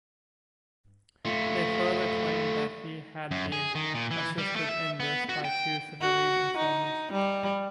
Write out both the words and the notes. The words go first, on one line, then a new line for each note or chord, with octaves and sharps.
They further claimed that he had been assisted in this by two civilian informants.
A3 F4
F#2
G#4
D#3
A#2
E3
G3
A3
E5
B3
F#4
G5
F#4
D#4
G3